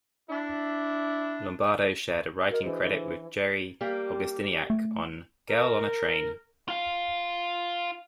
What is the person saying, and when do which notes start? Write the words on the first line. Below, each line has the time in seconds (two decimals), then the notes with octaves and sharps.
Lombardo shared a writing credit with Jerry Augustyniak on "Girl on a Train".
0.30 D4 E4
2.50 F#4 A#4 D#5
2.64 E3 D4 G#4 C5
2.82 E3
3.81 G3 A#3 G4
4.70 A3
5.49 A#4
6.68 F4 F5